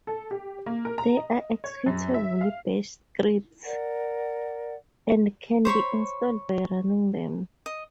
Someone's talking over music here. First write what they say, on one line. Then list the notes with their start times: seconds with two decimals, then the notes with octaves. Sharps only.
They are executable bash scripts, and can be installed by running them.
0.07 A4
0.31 G4
0.66 A#3
0.85 A#4
0.98 A#5
1.17 D#5
1.64 C#5
1.86 F#2
2.14 E5
2.41 F5
3.64 A#4 D5 F#5
5.65 C5 C#5 B5 C#6
7.66 D#5